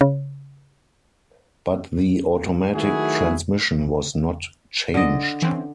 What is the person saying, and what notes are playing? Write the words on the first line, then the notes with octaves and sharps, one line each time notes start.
But the automatic transmission was not changed.
C#3
D#3 F#3 A3 E4 F#4 G#4
D3 D#5
E3 C4 C#4